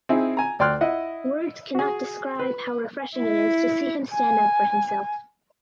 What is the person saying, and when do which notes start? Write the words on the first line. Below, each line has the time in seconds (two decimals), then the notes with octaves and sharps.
Words cannot describe how refreshing it is to see him stand up for himself.
0.09 C4 D#4 E4 G#4
0.37 G#5 A#5
0.59 D2 D5 G5 C6 F6 F#6
0.81 E4 D#5 F#5
1.75 F#4 G#4
2.39 B4
3.17 E4
4.13 G#5